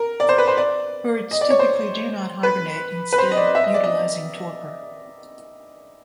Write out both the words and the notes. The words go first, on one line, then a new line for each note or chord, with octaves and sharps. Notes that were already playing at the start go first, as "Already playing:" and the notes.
Birds typically do not hibernate, instead utilizing torpor.
Already playing: A#4
D5
C5
B4
C5
D5
D#5
D5
C#5
C5
B4
B4
C5
D#5
D5
E5
D#5
D5
D#5